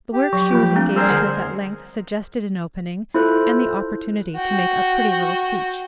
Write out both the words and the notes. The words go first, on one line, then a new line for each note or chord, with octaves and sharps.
The work she was engaged with at length suggested an opening, and the opportunity to make a pretty little speech.
G4
F#3
F3 A#3 F4
A3 C4 D4
G3 G#4 A#4 C5 D5
D3 F#5 A#5
E4 F4 A4 C5 F#6
F#4 G5